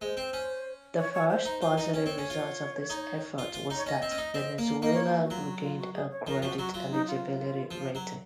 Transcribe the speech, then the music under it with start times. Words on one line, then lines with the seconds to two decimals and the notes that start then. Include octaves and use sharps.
The first positive result of this effort was that Venezuela regained a credit-eligibility rating.
0.01 G#3 C5
0.17 C4
0.33 C#4
0.98 C#5
1.13 C#5
1.30 C5
1.45 D#4
1.62 F4
1.77 D#4 D#5
1.94 C#4 C#5
2.06 C4
2.18 C#4
2.30 F4
2.90 D#4
3.38 F4
3.54 F4
3.70 D#4
3.76 C#5
3.86 C#4 D#5
4.02 C4
4.11 C#4
4.18 D#4
4.34 C4
4.58 A#3
4.82 A#3 D#5
4.94 C#5
5.06 F4
5.19 D#4
5.25 F#4
5.30 F#3 F4
5.46 F#4
5.58 F#4
5.62 F4
5.78 F#4
5.94 G#4
6.11 C#5
6.26 F3 A#4
6.42 F3 F#4
6.58 F#3 F#4
6.74 F#3 F4
6.90 D#4
7.07 F4
7.71 F3
7.95 F#3